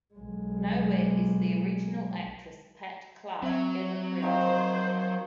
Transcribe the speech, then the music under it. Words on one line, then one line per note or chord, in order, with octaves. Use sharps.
Nowhere is the original actress, Pat Clark, ever credited.
B1 G#3
F#3 C4 E5
D#3 F3 C5